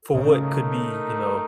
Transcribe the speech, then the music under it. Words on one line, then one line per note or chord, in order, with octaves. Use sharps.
for what could be, you know,
C#3 A3 D#4 A#4